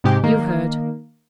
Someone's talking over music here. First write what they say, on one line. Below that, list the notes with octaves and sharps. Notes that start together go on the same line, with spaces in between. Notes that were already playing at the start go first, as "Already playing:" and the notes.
You heard.
G#2 C3 G#3 G4
D#3 A#3